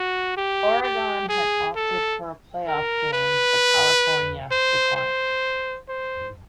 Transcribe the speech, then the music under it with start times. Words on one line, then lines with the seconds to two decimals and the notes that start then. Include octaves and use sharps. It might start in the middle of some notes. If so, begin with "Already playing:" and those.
Oregon had opted for a playoff game, but California declined.
Already playing: F#4
0.37 G4
0.83 G4
1.29 G#4
1.76 A4
2.68 A#4
3.13 B4
4.51 C5
4.96 C5
5.89 C5